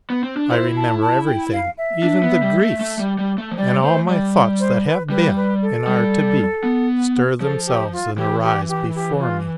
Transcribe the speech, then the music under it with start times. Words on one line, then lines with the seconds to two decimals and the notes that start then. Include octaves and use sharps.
I remember everything, even the griefs, and all my thoughts that have been and are to be bestir themselves and arise before me.
0.10 B3
0.23 C4
0.37 D4
0.49 E4 C5
0.76 A5
1.02 A5
1.27 G5
1.52 F5
1.78 E5
2.03 D4
2.23 B3
2.42 G3
2.61 A3
2.81 A3
2.99 G3
3.19 G3
3.38 A3
3.51 F3
3.57 G3 D5
3.82 A3 C5
4.09 G3 D5
4.60 C5
4.85 B4
5.10 G3 B4
5.36 B4
5.62 A4
5.87 G3
6.63 B3
7.41 F3 A4
7.66 G4
7.92 F4
8.18 E3 G4
8.43 G4
8.69 G4
8.95 G4
9.19 F4